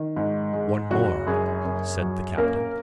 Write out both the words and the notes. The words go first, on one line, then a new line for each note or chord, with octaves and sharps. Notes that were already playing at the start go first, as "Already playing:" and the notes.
"One more," said the captain.
Already playing: D#3
G#2
G#3
F#1 F#4
F#2 G#4
F#2
F#3
A#3 C#4 A#4